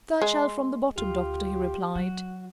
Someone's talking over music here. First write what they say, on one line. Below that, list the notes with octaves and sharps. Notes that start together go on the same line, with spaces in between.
"Third shelf from the bottom, doctor," he replied.
G#3 C6
D2 F4 G4
F#3 F#4